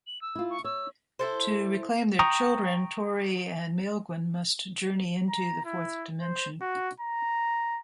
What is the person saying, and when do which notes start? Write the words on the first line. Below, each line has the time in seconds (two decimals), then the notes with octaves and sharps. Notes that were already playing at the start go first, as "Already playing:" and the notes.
To reclaim their children, Tory and Maelgwyn must journey into the fourth dimension.
0.07 F#7
0.22 E6
0.35 E4 F4
0.50 C#6
0.64 C#5 E6
1.19 E4 A4 C5
2.19 G5 A#5 C#6 D#6
5.30 A#5
5.65 E4
6.21 C5
6.61 F#4
7.00 A#5